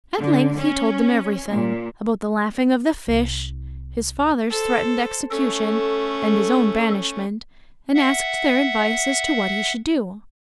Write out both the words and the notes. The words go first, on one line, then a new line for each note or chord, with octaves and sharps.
At length he told them everything--about the laughing of the fish, his father's threatened execution, and his own banishment--and asked their advice as to what he should do.
D3
C#4
A#2
C2 E3
A4 C5
A3 C#4 A4
E5 F#5